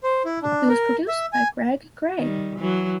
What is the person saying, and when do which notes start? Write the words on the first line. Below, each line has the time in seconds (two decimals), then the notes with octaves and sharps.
It was produced by Gregg Gray.
0.03 C5
0.25 E4
0.43 D4
0.69 A#4
1.08 E5
1.33 G#5
2.18 D#3 G3
2.58 E3 F#3